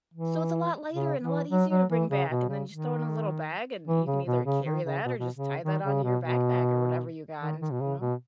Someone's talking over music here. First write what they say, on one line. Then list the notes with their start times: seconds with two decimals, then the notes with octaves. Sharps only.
so it's a lot lighter and a lot easier to bring back, and then just throw it in a little bag, and you can either carry that or just tie that onto your backpack or whatever you got and s you know?
0.14 E3
0.92 C#3
1.22 E3
1.51 F#3
1.70 F#3
1.90 E3
2.10 C#3
2.30 B2
2.49 C#3
2.70 D#3
3.88 E3
4.06 C#3
4.26 B2
4.46 C#3
4.66 D#3
4.85 C#3
5.06 B2
5.20 B2
5.35 C#3
5.64 D#3
5.84 C#3
6.04 B2
6.23 B2
7.41 D#3
7.61 D#3
7.71 B2
7.81 C#3
8.00 B2